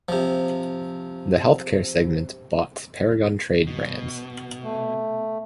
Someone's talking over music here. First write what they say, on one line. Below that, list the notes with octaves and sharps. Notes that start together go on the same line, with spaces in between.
The Healthcare segment bought Paragon Trade Brands.
C3 F3
B2
A3